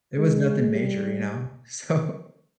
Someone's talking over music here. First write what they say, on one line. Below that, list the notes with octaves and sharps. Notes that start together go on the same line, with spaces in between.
it was nothing major, you know? So,
G#3
G3